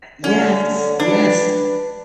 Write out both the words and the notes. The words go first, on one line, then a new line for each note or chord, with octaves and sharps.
Yes, yes.
D3 C#4
D4 B4